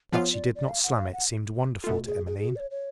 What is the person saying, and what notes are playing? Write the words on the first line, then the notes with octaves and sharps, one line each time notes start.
That she did not slam it seemed wonderful to Emmeline.
F3 B3 F4 C#5
D5
D5
F5
F#5
F5
F#5
B2 A3 F4 A4
G#4
G#4
G#4
F#4
D5
C#5
C#5